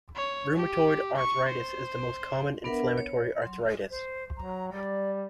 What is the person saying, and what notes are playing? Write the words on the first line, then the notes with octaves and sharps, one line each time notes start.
Rheumatoid arthritis is the most common inflammatory arthritis.
C#5
G4
C#6
C5
B3 D4 A#4 B4 E5 F#5
C#5
F#3 C6
C5
F#3 A#5
G3 D5